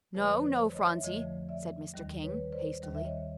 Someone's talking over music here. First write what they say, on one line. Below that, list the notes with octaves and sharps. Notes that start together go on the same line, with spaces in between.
"No, no, Phronsie," said Mr. King, hastily.
F2 D3 F3 A3 B4 C#5
C#5
C5 D5
C#5 D#5
E5
F2 D3 F3 A3 C#5 D#5
D5 E5
D#2 D#3 G3
B4 C#5
C5 D5
D#2 D#3 G3
E5
C#5 D#5